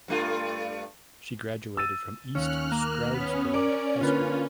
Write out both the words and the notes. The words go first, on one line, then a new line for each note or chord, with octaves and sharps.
She graduated from East Stroudsburg High School.
G2 A3 F4
E6 A6 D#7
D#2 C#4 F6 F#6
A#3
B3 C#4
A#4 D5 D6
D3 A#3 F4 B4